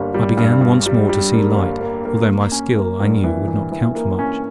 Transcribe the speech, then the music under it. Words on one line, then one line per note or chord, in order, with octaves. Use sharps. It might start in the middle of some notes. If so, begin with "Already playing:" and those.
I began once more to see light, although my skill, I knew, would not count for much.
Already playing: G1 G3 A#3
G3
G2
G2
G3
G3
A#3
G1
A#3
A#3
A#3
C#4
A#3
G2
E3
E3
E3
A#3
C#4